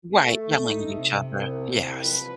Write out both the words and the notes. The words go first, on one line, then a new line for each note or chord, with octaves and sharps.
Right, yelling at each other, yes.
A3
D#4
C3
C2
F3 B4